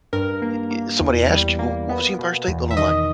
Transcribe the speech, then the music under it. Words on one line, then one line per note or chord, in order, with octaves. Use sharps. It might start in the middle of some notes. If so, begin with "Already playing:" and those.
e e eh, somebody asks you, "Well, what was the Empire State Building like?"
G2 A#4
A#3
A#3
E2
G3
A#3
B3
B2
E2
E5
D#3 D#5